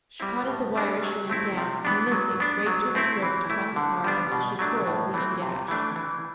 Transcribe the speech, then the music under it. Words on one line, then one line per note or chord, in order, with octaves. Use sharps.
She caught at the wire as she went down, and missing, raked her wrist across a barb until she tore a bleeding gash.
G3 C4 E4
A2
G3 D4
F#3
A3 C4 E4
C3
E3 B3 D4
F#3
B3 D4
F#3
A3 C4 E4
E3
A3 E4
D3
G3 B3 D4
B2
F#3 A3 D4
A2
E3 A3 C4
C3
E3 A3 D4
E3